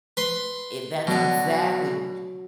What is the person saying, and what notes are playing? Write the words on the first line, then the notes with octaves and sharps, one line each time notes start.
I that's exactly w
B4 C6
B2 D3 F#3